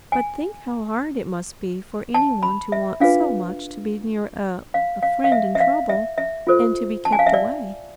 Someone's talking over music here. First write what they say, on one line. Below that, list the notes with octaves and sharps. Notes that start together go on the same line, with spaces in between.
"But think how hard it must be for any one to want so much to be near a--a friend in trouble, and to be kept away."
G#5
A5
B5
E5
D4 F4 G#4 B4 F5
F5
F5
F5
E5
E5
F5
E5
E5
F4 A4 C5
A5
G#5
F5
E5
D5